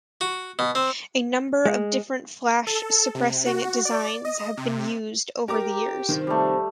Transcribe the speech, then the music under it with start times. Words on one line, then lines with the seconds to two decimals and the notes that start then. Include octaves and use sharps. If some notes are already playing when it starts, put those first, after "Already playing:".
A number of different flash suppressing designs have been used over the years.
0.21 F#4
0.59 B2
0.75 C4
1.65 G#3
2.67 A4
3.15 C3
3.46 F#4
3.85 D5
4.25 D#5
4.57 C3
5.48 G4 A#4 A#5 D6
6.09 G2 C3 D#3 F3
6.27 G3 A3